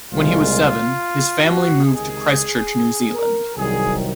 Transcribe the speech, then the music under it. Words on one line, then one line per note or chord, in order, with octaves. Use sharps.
When he was seven his family moved to Christchurch, New Zealand.
C2 A#2 G#3 F4
F#4
C#2 C3 D#3 G#3 G#4
A#4
C2 C3 D#3 F#3 G#4